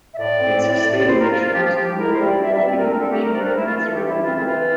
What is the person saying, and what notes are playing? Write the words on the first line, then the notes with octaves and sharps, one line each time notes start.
Its stated mission is promoting the well-being of humanity throughout the world.
E5
A2 D5
C4
A2
A2
E4 C5
A#4
F3 F4
F4
F3 G4
F4
F3 G4
G4
E4 A#4
C5
G3 E5
D5
G3 E5
E5
C4 D5
A#4
D3 A#4
A4
A3 G4
A#4
C4 D5
A#4
A3 E4
F4
E3 F4
A4
G4
E3
E4
C4 F4
E4
E3 F4